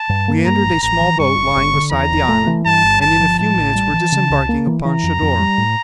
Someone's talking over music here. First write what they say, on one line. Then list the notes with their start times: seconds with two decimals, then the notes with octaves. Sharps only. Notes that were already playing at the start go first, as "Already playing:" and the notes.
We entered a small boat lying beside the island, and in a few minutes were disembarking upon Shador.
Already playing: A5
0.09 G2
0.28 A#3
0.45 G2 A#5
0.64 A1
0.82 A1 A#5
1.01 E3
1.19 G2 C#6
1.37 G1
1.56 G1
1.73 D3
1.92 E2 A#5
2.11 F1
2.29 A3
2.47 E3
2.66 G2 A5
2.83 G1
3.01 G1 A5
3.20 F3
3.39 A2 A5
3.56 A1
3.75 G3
3.93 E3
4.12 C#3
4.30 C#2
4.49 A#3
4.67 E3
4.85 E3 A#5
5.03 F2
5.22 F2
5.39 G3
5.58 A2